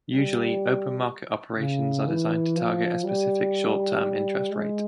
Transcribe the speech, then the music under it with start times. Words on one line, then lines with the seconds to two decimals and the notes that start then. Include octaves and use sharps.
Usually, open market operations are designed to target a specific short-term interest rate.
0.11 G3
1.58 C#3
2.07 E3
2.56 F3
3.04 G3
4.51 G#3